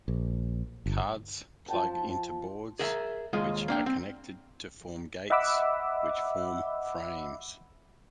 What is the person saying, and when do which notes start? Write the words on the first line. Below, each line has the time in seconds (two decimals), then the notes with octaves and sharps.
Cards plug into boards which are connected to form gates which form frames.
0.08 A#1
0.86 G1
1.68 F3 G5 A5
2.79 G#4 A#4 E5
3.33 D#2 G#3 F4 D#5
3.68 A#3 D4 G5
3.86 C4
5.30 D#5 E5 F#5 B5 D6 E6